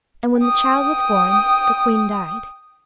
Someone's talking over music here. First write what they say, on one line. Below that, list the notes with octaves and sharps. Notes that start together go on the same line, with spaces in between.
And when the child was born, the queen died.
G5 D#6